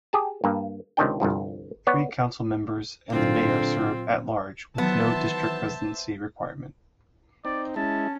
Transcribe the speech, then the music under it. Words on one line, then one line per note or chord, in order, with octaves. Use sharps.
Three Council Members and the Mayor serve "At Large" with no district residency requirement.
G4 G#4 A5
G2 A#3
C#2 C3 D#3 D4 G5
G1 C2 G2 F3
B3 C#5 D5
A#2 D3 F#3 C4 F4
D#3 E3 F#3 B3 C5 E5 A5
C4 D#4 D5
G#3 C#4 E4 A5